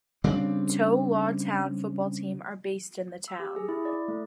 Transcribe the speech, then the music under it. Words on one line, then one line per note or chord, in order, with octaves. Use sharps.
Tow Law Town football team are based in the town.
C#3 G3 C4 D4
E6
G4
G#4
E4
D5
A3